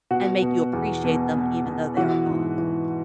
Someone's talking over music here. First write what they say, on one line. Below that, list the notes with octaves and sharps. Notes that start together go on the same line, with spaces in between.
and make you appreciate them even though they are gone.
B2 F#4
B2
E2
B2
B2
B2
E3 F#4
G#2
E3